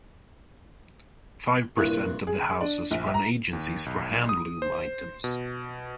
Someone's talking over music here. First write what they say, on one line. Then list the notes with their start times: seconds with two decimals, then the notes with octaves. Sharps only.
Five percent of the houses run agencies for hand loom items.
1.78 C2 G2 A#2 E4 F#6
2.27 G#4
2.61 D4
2.91 A#1
3.14 A#5
3.53 D#2
3.86 B1
4.29 D#6
4.62 C5
5.24 B2